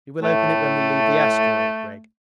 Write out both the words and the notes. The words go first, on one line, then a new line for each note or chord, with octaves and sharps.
We will open it when we leave the asteroid, Gregg.
A2 A3